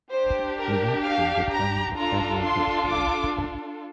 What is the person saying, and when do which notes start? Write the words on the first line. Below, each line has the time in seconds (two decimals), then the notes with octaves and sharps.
His action determined the federal victory.
0.11 D4 G4 C5
0.57 A#4
1.03 F5
1.49 A#5
1.96 D4 F4 A4 A#5
2.42 C6
2.87 D6